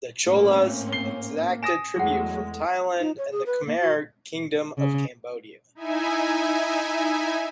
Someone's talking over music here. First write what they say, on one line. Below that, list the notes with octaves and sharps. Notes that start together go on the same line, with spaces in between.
The Cholas exacted tribute from Thailand and the Khmer kingdom of Cambodia.
A2 A#3 C4 C#4
C7 G7
G#5 D#6 A#6 E7
E2 F#3 G#3 A3 G#4 F#5
D#4
C#5
G#4
B4
A#3
F#4
C#3
D#4 E4 E5 G#5